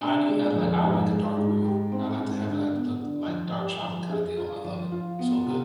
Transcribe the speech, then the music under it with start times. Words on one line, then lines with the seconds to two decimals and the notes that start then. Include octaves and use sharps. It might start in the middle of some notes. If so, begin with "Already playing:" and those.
I need I'd like I like a dark roux. I like to have it like look like dark chocolate kinda deal. I love it. So good.
0.01 D4
0.28 G#3
0.56 F2
0.83 G#2
1.10 G#3
1.37 G#2
1.65 G4
1.92 C4
2.20 G#2
2.46 D3
2.74 B3
3.02 D3
3.28 F3
3.56 G4
3.82 F3
4.10 G#4
4.37 F4
4.65 F3
4.91 F4
5.19 B3
5.46 C3